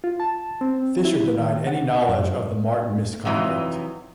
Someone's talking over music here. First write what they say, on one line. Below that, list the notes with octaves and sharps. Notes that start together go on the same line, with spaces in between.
Fisher denied any knowledge of the Martin misconduct.
F4
A5
C4
E4
D#3
F#5
F#2
F2 C3 E3 F#3 D#4